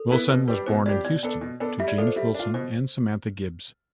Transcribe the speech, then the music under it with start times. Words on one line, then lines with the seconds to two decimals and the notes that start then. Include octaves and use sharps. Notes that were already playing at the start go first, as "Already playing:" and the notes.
Wilson was born in Houston to James Wilson and Samantha Gibbs.
Already playing: A4
0.11 B3 E4 B4
0.29 B2 B4
0.48 G3 D4 G4 B4
0.66 B2 C5
0.86 G3 D4 G4 D5
1.05 B2 D5
1.23 B3 D4 A4
1.41 B2
1.60 B3 D4 A4
1.78 G3 E5
1.88 D5
1.98 D4 F4 A4
2.07 C5
2.16 G3 E5
2.35 D4 F4
2.54 B2 C5